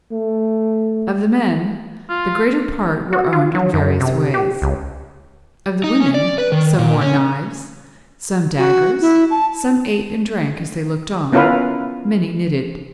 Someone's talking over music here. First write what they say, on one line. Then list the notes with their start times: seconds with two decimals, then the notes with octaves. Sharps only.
Of the men, the greater part were armed in various ways; of the women, some wore knives, some daggers, some ate and drank as they looked on, many knitted.
0.12 A3
2.09 F4
3.13 F#4
3.33 F4
3.55 F#3
3.74 F#2
4.00 C3
4.34 G4
4.62 C#2
5.84 D#4
6.00 C#4
6.14 D5
6.38 B4
6.52 D#3
6.79 A#2
7.01 C#4
8.58 F#4
9.01 E4
9.31 A5
11.32 B3 C#4 E4 F4 A#4 B4